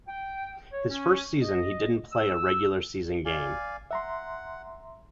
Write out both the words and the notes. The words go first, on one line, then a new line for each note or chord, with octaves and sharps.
His first season he didn't play a regular season game.
G5
C#5
C#4
D#5
E6
D5 F5 G#5
E5 F#5 A#5 C6